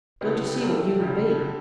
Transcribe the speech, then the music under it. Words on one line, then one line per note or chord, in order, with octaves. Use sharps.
'Don't you see what you would be?
D2 C#3 E3 B3 G4
A4
G4
G2 F#3 A3 A4
D2 C#3 G3 G4
A4
A4
D3